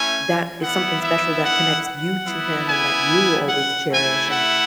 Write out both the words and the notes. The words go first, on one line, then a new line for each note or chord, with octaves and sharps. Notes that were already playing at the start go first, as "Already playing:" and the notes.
that is something special that connects you to him and that you will always cherish, and,
Already playing: A3 C#4 E4 G#5
B3 E4 F#5
E5
F#5
F#5
B3 E4
G#5
F#5
A3 E4 G#5
F#5